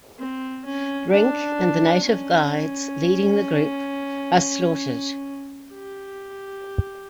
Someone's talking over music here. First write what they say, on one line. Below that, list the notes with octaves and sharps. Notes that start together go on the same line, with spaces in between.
Brink and the native guides leading the group are slaughtered.
C4
C#4
D4
C#4
G4